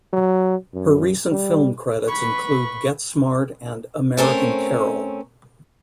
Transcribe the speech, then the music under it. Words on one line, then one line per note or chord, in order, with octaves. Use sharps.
Her recent film credits include "Get Smart" and "American Carol".
F#3
F#2
G3
B4 B5 C#6
A3 C4 C#4 A#4